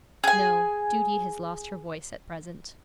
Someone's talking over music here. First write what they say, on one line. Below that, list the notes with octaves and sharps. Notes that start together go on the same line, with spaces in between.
'No, duty has lost her voice at present.'
G#4 G#5